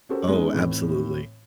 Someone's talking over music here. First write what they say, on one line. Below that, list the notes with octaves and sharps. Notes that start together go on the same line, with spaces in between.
Oh, absolutely.
C#4 F#4 G4 A4 A#4 C5
G#3 B3 C#4 D#4
A2 C3 E3